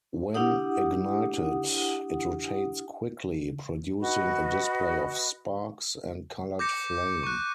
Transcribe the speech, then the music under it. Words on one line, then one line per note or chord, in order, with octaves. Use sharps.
When ignited, it rotates quickly, producing a display of sparks and coloured flame.
D4 E4 G4 F#5 D#6
F#4 B4 D#5 B5
D6 G6 A#6 C#7
C#6 F#6